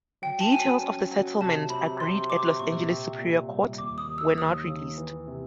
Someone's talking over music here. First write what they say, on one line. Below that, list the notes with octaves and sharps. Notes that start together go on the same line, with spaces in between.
Details of the settlement, agreed at Los Angeles Superior Court, were not released.
F#3 G5
A5
F#3 G#5
C#4
F#3
C3 A5
C3 B5
C3 C6
C3 D6
A#2 C#6
C4
A#2
G3
D#2 D6
D#6
D#2
E6
D#2 D#6
D#2
E3
C3